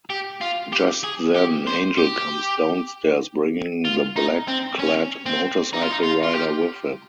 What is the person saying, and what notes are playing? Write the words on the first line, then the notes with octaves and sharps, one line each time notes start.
Just then, Angel comes downstairs, bringing the black-clad motorcycle rider with him.
G4
F4
G4
G#4
G4
C5
G4
F4
D#4
C4
C#4
C4
D#4
F4
D#4
F4
F4
G4